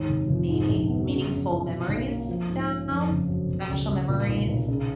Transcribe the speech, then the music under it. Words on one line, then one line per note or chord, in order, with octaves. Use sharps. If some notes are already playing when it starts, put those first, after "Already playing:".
meaning meaningful memories down? Special memories.
Already playing: D#2 G#2
F1
F1
G#2
A#1
B3
C#3
F#2
C#4
B2
B1
A#3
F3
G#2
C#4
F2
F#1
F#3
B2
C#2
C#2
A#2
B1
B1
C#3